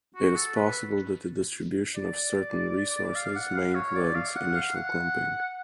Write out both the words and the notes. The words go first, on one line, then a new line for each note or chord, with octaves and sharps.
It is possible that the distribution of certain resources may influence initial clumping.
F#4
A4
B4
D5
F5
F#5
F5
C#5
D5
F5
F#5
F5
F#5